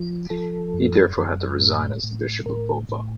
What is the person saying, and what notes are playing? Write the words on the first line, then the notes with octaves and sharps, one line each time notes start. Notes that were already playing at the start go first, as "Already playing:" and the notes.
He therefore had to resign as bishop of Bova.
Already playing: F3
F3 A4
F#2
F#2
A2
A2
A2 A#4
A2